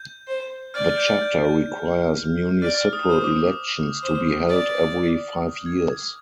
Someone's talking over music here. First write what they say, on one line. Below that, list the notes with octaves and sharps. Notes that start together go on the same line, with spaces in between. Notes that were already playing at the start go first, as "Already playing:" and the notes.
The chapter requires municipal elections to be held every five years.
Already playing: G6
C5
D5 F6
G6
G6
G6
D5 F6
D#6
C5
D#6
D6
C5
D5
G#6
G#6